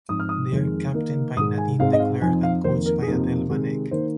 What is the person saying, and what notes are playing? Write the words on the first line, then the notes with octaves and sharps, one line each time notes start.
They are captained by Nadine de Klerk and coached by Adele van Eck.
G#2 F3 C4 D#4 D#6
F6
D#6
F2 D#3 G#3
D#3 A#3 D#4
G#2 D#3 G#3 D#6
G#5
G#2 G#3 C4 D#4 F5
D#5
F5
F2 F3 C4 D#4 G#5
F5
F2 D#3 A#3 C5
A#4
G#4
F2 C3 F3 A#3 D#4 A#4
C3 D#3 G#3 C4
D#3 A#3 D#4 C5